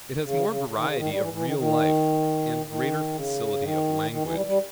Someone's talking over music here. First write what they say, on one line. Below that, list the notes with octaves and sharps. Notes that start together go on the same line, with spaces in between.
It has more variety of real life, and greater facility of language.
C#3
C#3
C#3
D#3
C#3
D#3
G3
E3
E3
D#3
D#3
D#3
C#3
D#3
D#3
E3
G3
G3